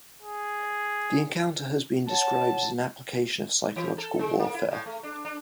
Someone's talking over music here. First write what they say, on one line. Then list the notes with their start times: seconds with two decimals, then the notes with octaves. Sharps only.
The encounter has been described as an application of psychological warfare.
0.22 G#4
2.09 C#5 F#5 A5
3.76 E3
3.98 A4
4.19 G#3
4.39 A#3
4.54 E4
4.71 A2
4.86 A3
5.03 D4
5.25 D4